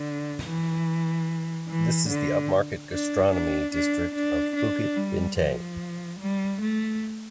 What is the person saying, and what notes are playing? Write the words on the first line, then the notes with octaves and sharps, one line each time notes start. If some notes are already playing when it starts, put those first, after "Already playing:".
This is the upmarket gastronomy district of Bukit Bintang.
Already playing: D3
E3
E3
D3
D4
D4
D4
D4
D4
G3
F3
G3
A3